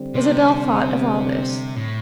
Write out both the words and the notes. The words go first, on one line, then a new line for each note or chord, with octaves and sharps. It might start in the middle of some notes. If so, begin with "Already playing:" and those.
Isabel thought of all this.
Already playing: D3 G3 C4
C3
A2